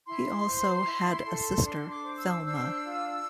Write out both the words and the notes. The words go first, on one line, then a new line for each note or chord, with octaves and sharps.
He also had a sister, Thelma.
E4 C6
C5
E4
A4
D4 C6
D6
C5
E6
D4 E6
F4